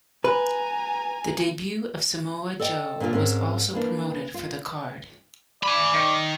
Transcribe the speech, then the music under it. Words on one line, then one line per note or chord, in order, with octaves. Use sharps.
The debut of Samoa Joe was also promoted for the card.
B4 G#5 A#5
A4 D5 D#5 G5
A#2 D3 A#3 D4 F4 A#4
G#2 C4 C#4 A#4
E3 A#3 D4
F4
D5 G#5 B5
D#3